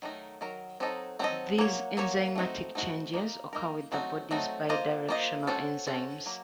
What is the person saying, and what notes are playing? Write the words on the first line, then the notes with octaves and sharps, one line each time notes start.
These enzymatic changes occur with the body's bidirectional enzymes.
D#3 F#3 A3 D#4 A#4
D#3 F#3 A#4
F#3 C4 D#4 A4 D#5
F#3 C4 D#4 A4 D#5
F#3 A#3 C#5
F#3 A#3 C#5
A3 C4 D#4 F#4
A3 C4 D#4 F#4
A#3 D#4 A#4
A#3 D#4 A#4
F#3 A3 C4 D#4 F#4
F#3 A3 C4 D#4 F#4
A#3 F4 C5 D#5
A#3 F4 C5 D#5
C#4 F#4 A4 C5
C#4 F#4 A4 C5
F#3 A#3